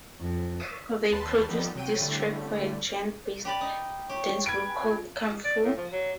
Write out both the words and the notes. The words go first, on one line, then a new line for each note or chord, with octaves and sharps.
They produced this track for a Ghent-based dancegroup called Kung Fu.
F2
D#2 B4 A5 C6
F3 G3 B3 D#4 G4 A4
C3 F#3 G5 D#7
A2 D3 G3 A3
G4 B4 D5
D#4
G4 C#5
B4 G#6 D7
D5
A2
F3
F#3